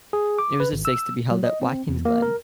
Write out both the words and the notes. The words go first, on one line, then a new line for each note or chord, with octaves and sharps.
It was the sixth to be held at Watkins Glen.
G#4
D6
B4
G#1
E6
F#3
D#5
C4
E2
A#3
A#4